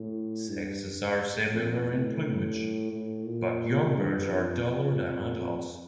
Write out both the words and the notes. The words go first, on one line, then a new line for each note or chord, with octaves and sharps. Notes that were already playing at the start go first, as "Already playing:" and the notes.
Sexes are similar in plumage, but young birds are duller than adults.
Already playing: A2
G2
F2
A2
A2
A#2
G2
F2
F2
F2